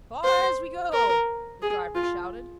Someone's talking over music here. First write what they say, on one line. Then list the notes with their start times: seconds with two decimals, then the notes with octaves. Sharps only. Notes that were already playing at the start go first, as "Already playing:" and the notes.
"Far as we go!" the driver shouted.
0.24 C5
0.92 A#4
1.62 G#4
1.95 F4